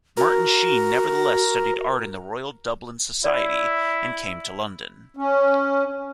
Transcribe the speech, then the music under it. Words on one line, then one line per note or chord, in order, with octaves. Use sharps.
Martin Shee nevertheless studied art in the Royal Dublin Society and came to London.
F#4 A#4
E4 D5
C#4